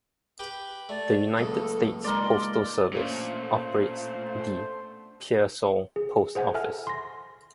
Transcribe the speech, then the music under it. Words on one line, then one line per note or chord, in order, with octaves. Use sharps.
The United States Postal Service operates the Pearsall Post Office.
G4 B4 G5
A3 D5
C#2 A2 F#3 A#3 A4 D#6
G#3 D#4 F4 A#4 D5 C6
A#2 A3 B3 C#4 D4 C5
G#4
G#4 C5 F#5 G#5
A4 E5 G#5 F6
C6 A#6